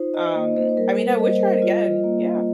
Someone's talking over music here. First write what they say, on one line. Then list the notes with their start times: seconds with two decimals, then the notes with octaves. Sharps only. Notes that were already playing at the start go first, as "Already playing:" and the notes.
Um, I mean, I would try it again, yeah,
Already playing: D#4 F4 C5
0.14 D#5
0.35 A#3 D#5
0.56 C5
0.69 C5
0.77 G3 A#4
1.19 G3 D#5
1.30 C5
1.40 A#4
1.50 C5
1.62 F4 D#5
2.04 A#3